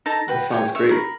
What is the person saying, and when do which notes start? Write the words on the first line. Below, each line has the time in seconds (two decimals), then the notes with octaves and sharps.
That sounds great.
0.06 D#4 A4 A5 A#5
0.28 F#4 B4 G5
0.51 C#5 G5 G#5
0.75 C#5 E5
0.90 A#4 B5